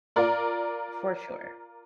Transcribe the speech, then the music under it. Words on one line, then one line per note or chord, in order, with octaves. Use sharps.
For sure.
F4 A#4 D5